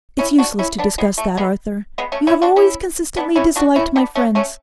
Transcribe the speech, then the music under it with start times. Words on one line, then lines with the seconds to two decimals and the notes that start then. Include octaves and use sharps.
'It's useless to discuss that, Arthur; you have always consistently disliked my friends.
0.19 C#4 E4
0.38 D4 F#4
0.59 C#4 E4
0.78 B3 D4
0.98 G#3 B3
1.18 A3
1.37 G#3 B3
1.98 G#3 B3
2.12 A3 C#4
2.27 C#4 E4
2.42 D4 F#4
2.56 C#4 E4
3.17 B3 D4
3.36 C#4 E4
3.56 D4 F#4
3.76 C#4 E4
3.96 B3 D4
4.15 A3 C#4
4.35 A3 C#4